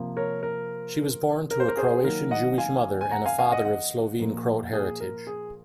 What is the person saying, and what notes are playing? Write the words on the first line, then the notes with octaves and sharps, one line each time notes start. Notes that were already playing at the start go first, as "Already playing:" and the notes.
She was born to a Croatian Jewish mother, and a father of Slovene-Croat heritage.
Already playing: C3 F3 A#3
A#4 C#5
A#4
A#4
C5
A#4
G#4 C5
D#3 F#3 A#3 A#4
D#5 F#5
F5 G#5
G#5
F#5 A#5
F5 G#5
F5 G#5
D#5 F#5
D#5 F#5
A#2 F3 A#3
G#4
A#4
G#4